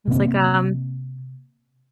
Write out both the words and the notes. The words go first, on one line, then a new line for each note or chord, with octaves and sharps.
I was like, um,
C3 A#3 C4